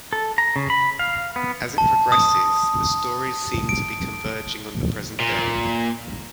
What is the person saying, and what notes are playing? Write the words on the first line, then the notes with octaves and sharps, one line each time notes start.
As it progresses, the stories seemed to be converging on the present day.
A4
A#5
C#3
B5
F5
B3
A5
D#6
D7
A#2